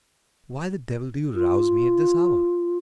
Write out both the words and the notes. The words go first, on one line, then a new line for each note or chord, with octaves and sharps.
"Why the devil do you rouse me at this hour?"
F4